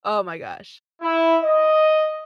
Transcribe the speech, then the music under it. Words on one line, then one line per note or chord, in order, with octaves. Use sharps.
Oh my gosh.
E4
D#5